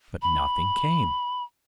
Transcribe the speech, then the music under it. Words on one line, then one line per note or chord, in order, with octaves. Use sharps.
But nothing came.
B5